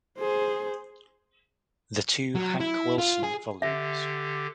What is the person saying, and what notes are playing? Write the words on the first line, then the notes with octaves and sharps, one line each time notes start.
The two Hank Wilson Vol.
G#4 C5
F#3
E4
F4
G#4
D3 G4 E5